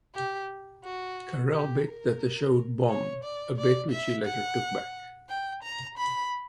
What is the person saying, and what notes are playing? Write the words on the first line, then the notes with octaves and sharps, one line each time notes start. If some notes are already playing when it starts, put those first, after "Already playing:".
Carrell bet that the show would bomb, a bet which he later took back.
G4
F#4
G4
A#4
C#5
D5
D5
E5
F#5
G5
A#5
B5